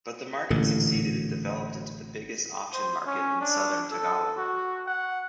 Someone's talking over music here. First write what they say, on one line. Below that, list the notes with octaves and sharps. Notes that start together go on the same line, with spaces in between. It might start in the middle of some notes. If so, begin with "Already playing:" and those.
But the market succeeded and developed into the biggest auction market in Southern Tagalog.
A1 A#2 D3
C5
C#4
D4
A4
F#4
F#5